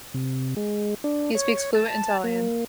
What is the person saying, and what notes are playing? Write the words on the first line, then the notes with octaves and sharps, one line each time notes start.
He speaks fluent Italian.
C3
G#3
D4
C#5
A5
A#3